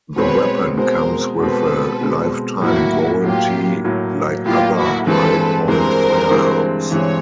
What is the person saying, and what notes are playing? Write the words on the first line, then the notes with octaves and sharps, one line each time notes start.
The weapon comes with a lifetime warranty like other Hi-Point firearms.
B2 G#3 C4 B4 C#5
B2 G#3 C4 A#4 C5
B2 G#3 C4 A4 B4
B2 G#3 C4
A2 F#3 A#3 E4 F#4
A2 F#3 A#3 F4 G4
A2 F#3 A#3
A2 F#3 A#3 F4 G4
E4 F#4
G2 E3 G#3 C4 A4 B4
G2 E3 G#3 C4 A#4 C5
G2 E3 G#3 C4
G2 E3 G#3 C4 C#5